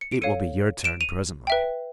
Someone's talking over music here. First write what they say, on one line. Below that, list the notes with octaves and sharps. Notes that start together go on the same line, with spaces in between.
"It will be your turn presently!"
C#7
D7
A4 C#5 F5 C#7 D#7
D7 E7
D#7 F7
B4 E5 G5